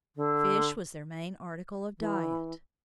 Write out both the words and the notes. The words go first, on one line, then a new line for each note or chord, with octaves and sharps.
Fish was their main article of diet.
D3
E3